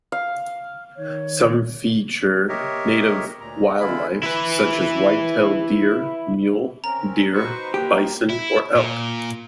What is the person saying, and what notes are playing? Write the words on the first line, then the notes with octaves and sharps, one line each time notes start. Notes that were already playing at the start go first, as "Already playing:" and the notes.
Some feature native wildlife such as whitetail deer, mule deer, bison or elk.
F5
D#3 C#5
G4 A#4 C#5 D#5 E5
D2 A#2 A#5
D3 G#3 E4 F4 B5
E4 B4
C4 C#4 A#4 A#5
D#4 F#4 B4 C5 C#6
A#3 G4
E4
A#2